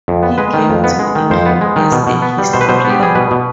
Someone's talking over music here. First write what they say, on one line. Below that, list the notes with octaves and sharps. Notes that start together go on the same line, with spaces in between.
He came to England as a historian.
F2
B3
G#3 B4
D#3
F2
B3
G#3
D#3
F2 C5
B3
G#3
D#3
B2
B2
B3
G3
B2 C5
B4
B2 C5
B3
G4
G3 G#4
B2 B4
B2